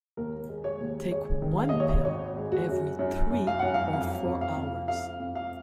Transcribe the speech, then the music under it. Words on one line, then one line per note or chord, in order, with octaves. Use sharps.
Take one pill every three or four hours.
D#2 A#4
G#3
C#5
D#2
G#3 C#5
D#3
F5
D#2 D#5
C#5
D#5
G#1 C#5
G#3
F#4
F#2
F#2
F#2
F5
F#2 F#5
F5
F2 F5
F2
F5
F2
F2 F5
F2
F5